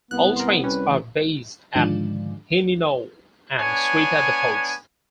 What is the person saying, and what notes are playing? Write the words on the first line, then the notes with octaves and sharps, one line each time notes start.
All trains are based at Hineno and Suita Depots.
C2 B3 F#6
A#4 C6
G3 C#4 B4
A1 E3
G#2 D3 D#3 F3 G#3 D4
B3 D4 C#5 G#5